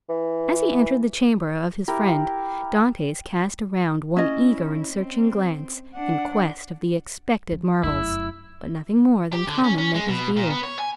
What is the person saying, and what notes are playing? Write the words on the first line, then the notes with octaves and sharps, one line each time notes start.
As he entered the chamber of his friend, Dantes cast around one eager and searching glance in quest of the expected marvels, but nothing more than common met his view.
E3
E4 G4 A#4
C#4 E4 D#5
C4
D4 F#5
F3
F1 F#2 E4 E6
G4
D3
C#4
C#4
G#3
B2
A#2
B3
C#5
G#5